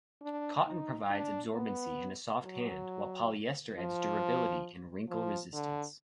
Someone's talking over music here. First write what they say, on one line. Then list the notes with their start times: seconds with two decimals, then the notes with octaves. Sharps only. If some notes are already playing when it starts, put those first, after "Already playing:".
Cotton provides absorbency and a soft hand, while polyester adds durability and wrinkle resistance.
0.22 D4
0.66 D#4
1.10 D4
1.54 B3
2.43 F#3
3.76 F3
5.09 F3
5.53 D3